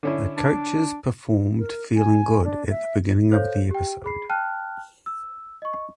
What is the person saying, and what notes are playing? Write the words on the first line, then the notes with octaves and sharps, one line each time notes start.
The coaches performed "Feeling Good" at the beginning of the episode.
D3 C#4 E4
D4
A#4
G#5
D4
E5
A4 C5 C#5 F5 G6
G4 G5
G#4 B5 C7
G5 A5 F6 F#6
E6
D#5 C#6